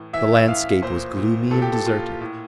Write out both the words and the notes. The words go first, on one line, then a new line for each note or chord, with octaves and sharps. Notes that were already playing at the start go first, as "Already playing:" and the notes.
The landscape was gloomy and deserted.
Already playing: A2 E3
E3 E5
A2 F5
A#2 C5
A#2
A#2 A4
G4
A4
A#2 F4
A2